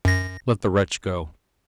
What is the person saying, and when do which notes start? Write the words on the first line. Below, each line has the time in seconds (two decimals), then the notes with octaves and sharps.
Let the wretch go.
0.05 F#2 A#6